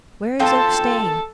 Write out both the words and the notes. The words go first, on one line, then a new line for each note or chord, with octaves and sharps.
"Where is Oak staying?"
C4 F4 A4 C5 A5